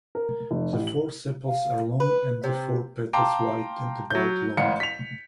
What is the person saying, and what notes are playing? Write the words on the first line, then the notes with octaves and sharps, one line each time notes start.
The four sepals are long and the four petals white and about long.
A#4
F1
A1
F#7
F5
B4
C3
F5 G5 A5 A#5 C6 D6
F#3 G6
A1 G#2 F5 F#5 C#7
B6 F7